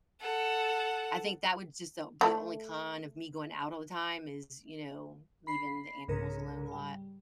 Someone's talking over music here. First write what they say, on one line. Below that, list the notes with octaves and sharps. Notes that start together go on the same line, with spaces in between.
I think that would just o be the only con of me going out all the time is, you know, leaving the animals alone a lot.
A4 F#5
A3 A4 D5
B5 C7
C2 G#2 C#3 A#4
G3